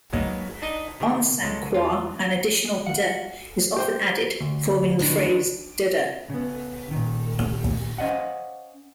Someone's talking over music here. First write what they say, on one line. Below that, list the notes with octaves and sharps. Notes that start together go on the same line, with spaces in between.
On Saint Croix, an additional "deh" is often added, forming the phrase "deh-deh".
F#3 G#3 A#3 B3 D#4
D4 D#4 D#5
C3 D#3
C#2 G#3 A4
E2 F4
G#3
F#4 F5 F#5
G4 C5 G5
D2
D#3 E3 D4
C#3 B3
A#2 D#3
C#4 C5 D#5 F5 F#5